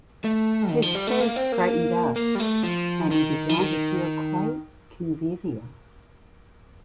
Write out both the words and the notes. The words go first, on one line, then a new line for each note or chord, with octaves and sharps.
His face brightened up, and he began to feel quite convivial.
A3
D#3
F3
G3
A3
A#3
C4
A#3
A#3
G3
A3
F3
D#3
F3
D#3